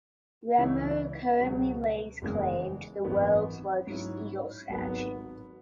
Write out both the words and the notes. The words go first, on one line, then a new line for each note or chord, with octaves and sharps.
Remer currently lays claim to the World's Largest Eagle statue.
C#2 C#3 E3 C#4 E4
C#2 B2 F#3
F#1 E2 C#3 E3 G#3
G#1 F#2 E3 B3
G#2 F#3 C#4 E4
G#1 G#2 F#3 B3